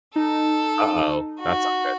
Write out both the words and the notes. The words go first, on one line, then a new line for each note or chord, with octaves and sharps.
Uh-oh, that's not good.
D#4 A4
F#4